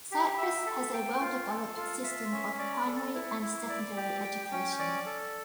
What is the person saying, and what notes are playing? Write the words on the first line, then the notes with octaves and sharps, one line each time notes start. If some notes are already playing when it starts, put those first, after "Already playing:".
Cyprus has a well-developed system of primary and secondary education.
G4
E5
A4
G5
F4
A4
F4
E5
C#4
D5
A4
E4
E4
D5
G4
G5
C#4
D5
A4